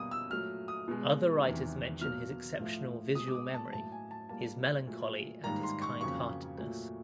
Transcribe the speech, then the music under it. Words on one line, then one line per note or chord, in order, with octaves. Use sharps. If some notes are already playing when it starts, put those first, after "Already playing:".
Other writers mention his exceptional visual memory, his melancholy and his kind-heartedness.
Already playing: B2 G3 A#3 D#6
E6
A#2 F#3 A3 F6
D#6
B2 G#3
E2 C3 D#3
B2 F#3 A#3 F6
A2 F3 A3
B2 G#3 D#6
D6
D#6
A5
A2 F#3 A#3 A5
G#5
A5
A#2 G3 A#3 A5
A#2 F#3 A3
G#2 D#3 G3 A#3 A#5
C6
C#6
F2 C#3 F#3 A#3 C#6
A#2 F#3 A3